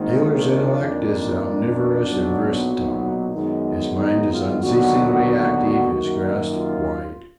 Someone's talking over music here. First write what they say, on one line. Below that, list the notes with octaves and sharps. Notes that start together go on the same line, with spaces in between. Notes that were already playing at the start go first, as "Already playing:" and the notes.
Taylor's intellect is omnivorous and versatile--his mind is unceasingly active, his grasp wide.
Already playing: G#1 G#2 D#3 A#3
D4
F2 D#3 A#3
D4
B1 A#2 F#3 B3
D#4
F#2 D#3 G#3 B3
D#4
F4
D#2 D3 F#3 B3 F#4
F#2 D#3 A#3
F4